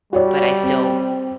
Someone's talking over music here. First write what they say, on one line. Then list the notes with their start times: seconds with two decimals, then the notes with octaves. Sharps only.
But I still
0.13 G3 F#4 C#5 D5
0.63 C4